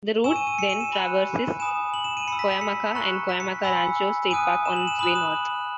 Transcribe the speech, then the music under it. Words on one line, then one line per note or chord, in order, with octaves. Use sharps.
The route then traverses Cuyamaca and Cuyamaca Rancho State Park on its way north.
G#5 C#6 E6 E7
D#7
D#7
C#7
D#7
E7
B5 F#6
G#5 B5 D#6 E7
F#7
E7
D#7
B5 E6 C#7
B6
B6
C#7
A#5 C#6 F#6
B6
C#7
G#5 B5 E6
G#5 D#6 F#6 D#7
E7
F#7
E7
B5 D#6 F#6 F#7
E7